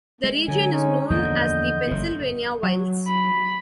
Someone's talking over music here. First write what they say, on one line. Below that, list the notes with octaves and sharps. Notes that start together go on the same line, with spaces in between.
The region is known as the Pennsylvania Wilds.
G#3
D3 F#3 G#5
G#3 C#4 D#4
E2 D3 F3 A#3 D#5 G6
F#1 A2
F#3
B5